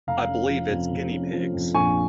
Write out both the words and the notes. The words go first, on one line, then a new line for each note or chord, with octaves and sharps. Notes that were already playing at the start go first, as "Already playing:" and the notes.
I believe it's guinea-pigs.
F1 F5 A#5
C#4
F3
F2
F1
C#4
F3
F2
A#1 G#5 C#6